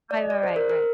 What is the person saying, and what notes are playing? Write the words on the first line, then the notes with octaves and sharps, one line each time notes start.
I know, right, right.
D5
D#5
D5
C5
A#4
A#4